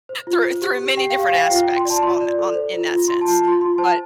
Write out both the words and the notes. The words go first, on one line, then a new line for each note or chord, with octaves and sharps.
through through many different aspects on on in that sense, but
C5
F4
C5
G4
G4
G4 G5
F5
G4
F5
C5 G5
F5
F4 G5
G5
F4
C6
D5 A5
F4 C6
D5
A4
C5
F4
F4
F4 C6
A5
F4
A5
F4 C6
F4 C6
C5 A5